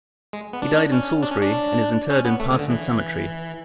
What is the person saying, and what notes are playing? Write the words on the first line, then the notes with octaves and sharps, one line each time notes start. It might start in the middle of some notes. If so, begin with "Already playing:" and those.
He died in Salisbury, and is interred in Parsons Cemetery.
G#3
B3
D4
C#4
D4
C#4
D4
C#4
B3
A3
C#3
D3
E3